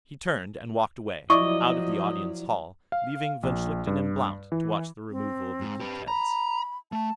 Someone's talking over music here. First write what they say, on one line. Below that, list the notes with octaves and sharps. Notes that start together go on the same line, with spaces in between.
He turned and walked away, out of the Audience Hall, leaving von Schlichten and Blount to watch the removal of the geek-heads.
F3 F#3 E4 D5 D#5 C#6
F5
A#1
G2
E3
C4
G#2
G4 B4
A#5 B5
A3 A5